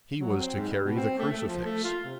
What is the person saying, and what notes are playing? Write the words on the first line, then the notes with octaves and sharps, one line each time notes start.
He was to carry the crucifix.
F#3
C4
G#2
G3
B2
C4
A3
A3
F3
A3
F4
C3